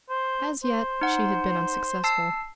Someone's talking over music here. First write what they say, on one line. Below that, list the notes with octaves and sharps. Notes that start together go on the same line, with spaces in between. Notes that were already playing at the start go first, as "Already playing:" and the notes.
As yet she had been unsuccessful.
C5
C5
D#4 F#5
A5 E6 C7